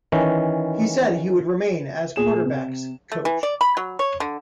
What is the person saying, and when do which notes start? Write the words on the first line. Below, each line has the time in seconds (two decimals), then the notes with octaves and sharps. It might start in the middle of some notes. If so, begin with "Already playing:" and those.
He said he would remain as quarterbacks coach.
0.12 D#3 E3 C#4
2.16 A#2 G#4 E7
2.45 C3
3.12 A3
3.25 E3
3.43 D5
3.61 B5
3.77 F#3
3.99 C#5
4.20 D3